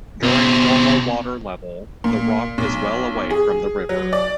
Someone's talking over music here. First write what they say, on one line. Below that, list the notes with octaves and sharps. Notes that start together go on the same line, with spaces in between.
During normal water level the rock is well away from the river.
B2 C4
A#2
B1
G#4
F#3
D5